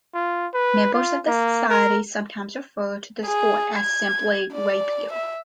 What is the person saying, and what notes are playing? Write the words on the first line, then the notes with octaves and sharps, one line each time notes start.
Members of the society sometimes refer to the sport as simply rapier.
F4
B4
F4
A#3
A#4
G#4
G#6
D5
E5